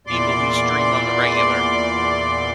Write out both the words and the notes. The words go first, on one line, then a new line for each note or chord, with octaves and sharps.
people who stream on the regular.
E2 A#2 D5 C6 D6